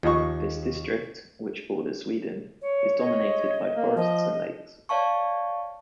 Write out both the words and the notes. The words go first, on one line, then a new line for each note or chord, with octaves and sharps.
This district, which borders Sweden, is dominated by forests and lakes.
D#2 F3 D#5 C#6
C#5
C#5 D#5
A#3
F3 D#5
C#5 D5 F5 A5 C#6